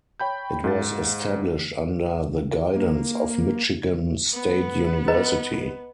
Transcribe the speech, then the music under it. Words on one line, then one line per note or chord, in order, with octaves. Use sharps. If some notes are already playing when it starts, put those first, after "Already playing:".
It was established under the guidance of Michigan State University.
C#5 G5 B5 G6
G#2 F5 A6
A#3
B3
B4 D#5 A#5